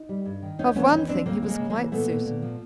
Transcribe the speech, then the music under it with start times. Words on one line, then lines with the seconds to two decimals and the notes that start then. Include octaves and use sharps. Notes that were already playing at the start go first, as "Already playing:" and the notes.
Of one thing he was quite certain.
Already playing: D#4
0.09 G3
0.26 G2
0.42 D#3
0.59 D#2 C#4 D#4
0.75 E3 B3 C#4
0.92 D#2 C#4 D#4
1.09 D#2 C4 D4
1.26 C#3 A#3 C4
1.42 E3
1.48 G#3 A#3
1.59 C#3
1.70 G#3 A#3
1.76 E3
1.92 A#2 A3 B3
2.09 A#2
2.26 A#2
2.42 F3